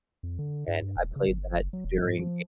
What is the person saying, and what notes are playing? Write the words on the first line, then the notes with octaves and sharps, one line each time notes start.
and I played that during a
F2
D3
G2
G2
D#1
C#3
G1
F#1
F#3
E1
G#2
F3